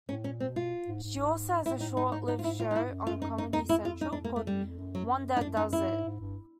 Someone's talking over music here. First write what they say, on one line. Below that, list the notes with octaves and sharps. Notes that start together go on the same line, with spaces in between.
She also had a short-lived show on Comedy Central called "Wanda Does It".
A2 C#4
A#2 C#4
C4
B2
F4
G#2
G#2
G#2 E4
A2 D#4
G#2
D#4
D#4
D#4
F4
E4
A2 F4
D#4
G#2 E4
F#2
F4
D#4
D#4
F2 D#4
E4
F4
D#4
D4
A#3
A3
F#2 G3
F2
F#2
F#3
D#4
D4
D#4
E4
G#2
G#2
G2